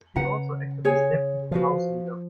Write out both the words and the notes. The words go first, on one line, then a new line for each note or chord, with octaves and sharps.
She also acted as Deputy House Leader.
C#3 B4 F#5 A#5
G#4 C#5 G#5
F3 F#4 B4 F5